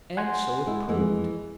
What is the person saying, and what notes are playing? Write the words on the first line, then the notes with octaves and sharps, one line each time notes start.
And so it proved.
F#5 G#5 C6
G#3 E4
F2 E3 G#3